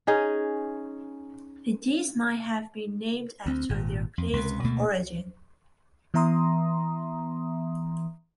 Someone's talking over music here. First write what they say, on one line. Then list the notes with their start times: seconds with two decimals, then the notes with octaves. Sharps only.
The dyes may have been named after their place of origin.
0.07 C#4 D#4 G#4
3.46 D2 C4
3.69 G#1 A#2
4.18 F2
4.33 C#2 C3
4.63 D2 B2 A3 A#3
6.14 E3 B3 E5 A#5 C6 D#6